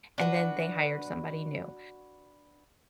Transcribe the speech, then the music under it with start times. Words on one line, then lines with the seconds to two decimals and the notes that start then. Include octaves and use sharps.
and then they hired somebody new
0.18 D4 F#4 B4